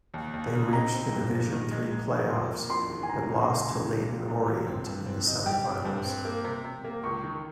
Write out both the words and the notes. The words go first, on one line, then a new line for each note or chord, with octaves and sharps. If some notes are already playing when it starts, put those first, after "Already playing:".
They reached the Division Three playoffs, but lost to Leyton Orient in the semi-finals.
D#2
D#2
C#3
D#4 A#5
C4
G2
F3
D#3
G#3
G#3
D#3
F2 C6
A#3
F2 C6
D#3
G#5
C#2 A#5
C#2
C#3
C#2
A#2
A#2
C2
F3
C4
G2
C4
D#4
G3 G5
C4
G2
C4
A#3
C3
C3
A#3
C#2 C#6
D#3